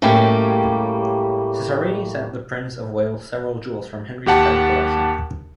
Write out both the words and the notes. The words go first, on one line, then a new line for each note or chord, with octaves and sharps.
Cesarini sent the Prince of Wales several jewels from Henry's private collection.
A2 G3 G#3 A#3 C#4 G4
D#2 G4 F#5 A5